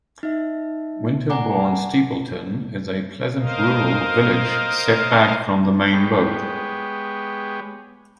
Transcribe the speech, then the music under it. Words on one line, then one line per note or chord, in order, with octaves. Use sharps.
Winterbourne Steepleton is a pleasant rural village set back from the main road.
D#4 E5
D5 F#5 G#5 A#5 D6
A#4 C5 D#5 F5
G#3 B3 G4 C#5